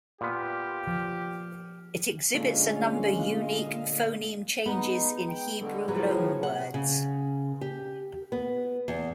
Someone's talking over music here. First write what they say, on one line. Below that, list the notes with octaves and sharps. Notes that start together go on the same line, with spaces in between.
It exhibits a number unique phoneme changes in Hebrew loanwords.
A#2 B3 G4 B5 C6 F6
F3 F6
A#2 D3 G#3 C#4 F5
D#5 F5
G#3 B3 D#4
G5
G2 B2 D3
A2 C#3 F3 F#3 G#4 B4
F#5
C#3
G4
B3
E2